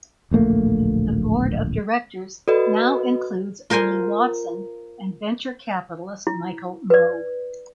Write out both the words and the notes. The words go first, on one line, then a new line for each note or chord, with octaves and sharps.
The board of directors now includes only Watson and venture capitalist Michael Moe.
D1 A#1 A3 A#3
F#4 A4 B4 D5 D#5
F4 A#4 C5 G#5 C6
E4
B4 D5